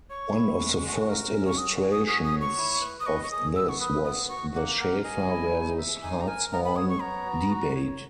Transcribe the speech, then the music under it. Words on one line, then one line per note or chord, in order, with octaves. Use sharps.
One of the first illustrations of this was the Schaefer versus Hartshorne debate.
C#5 C#6
E4
G#3
F#4
A#4
C#4
C#6
F#4 D#6
G#5
D#6
F#4 D#6
D#6
C#5
C#6
E4
B4
D#6
D#5 C#6
C#6
G#4 D#6
B3 E6
C#6
B4 D#6
B3 D#6
F#4 C#6
A#3 F#5
A#4 F#5
D#5 G#5
E4
D#4
E5
D#4 G#5
A#5
A#4 G#5
B3 A#5
B5
C#5 D#6
C#6
B3 A#5
F#4
F#4
C#5